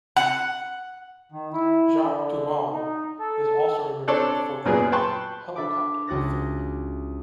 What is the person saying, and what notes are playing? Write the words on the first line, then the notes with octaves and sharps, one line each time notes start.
Jacques Toubon is also remembered for the "helicopter affair".
F#5
D#3
E4
D3
D#4
A4
C4 D4 A4 C#5 D5
F#2 A#2 B3 G#4
B4 G5 A5 C6 C#6
D4 A4 E5 B5 D6 D7
C#2 F#4 F#6 A6 A#6